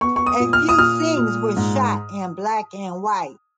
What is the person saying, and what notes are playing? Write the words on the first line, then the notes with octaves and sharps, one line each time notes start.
A few scenes were shot in black and white.
B3 C#6
C#6
D#6
A#2
F6
D#6
A#2 F6
A#2
G#2